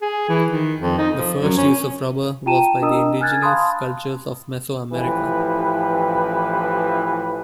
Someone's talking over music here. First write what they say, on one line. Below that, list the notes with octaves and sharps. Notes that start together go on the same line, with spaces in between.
The first use of rubber was by the indigenous cultures of Mesoamerica.
G#4
E3
D#3
F2
D#4
F3
F#2
C#4
F4 G5 A5 A#5 D#7 E7
D4 A#4 D#5 A#5 D#6 E6
G#5 F6 F#6 G#6 A6
F5 A5 B5 C6 D#6
A1 E3 F3 G4 B4